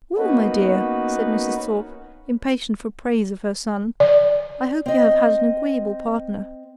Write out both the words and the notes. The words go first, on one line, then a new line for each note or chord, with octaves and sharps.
"Well, my dear," said Mrs. Thorpe, impatient for praise of her son, "I hope you have had an agreeable partner."
A#3 B3 C#4 D#4 F#4 B4
D5
C4 D#5